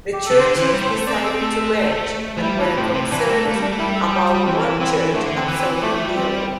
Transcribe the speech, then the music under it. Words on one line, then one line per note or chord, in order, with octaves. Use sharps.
The churches decided to merge but were concerned about one church absorbing the other.
G4
A4
C3
D3 C5
E3
C5
G3
C4
C5
A3
C4 D5
A4
A3 A4
E3
G3 E4
E3 D4
A2 C4
C3 C4
E3 D4
G3 C4
A3
D4
A3
G3
D4
A3
G3 E4
A4
G4
G4
G3
E3 C4
E3 C4
D3 A3
C4
E3
C4
G3 A3
A3
G3
C4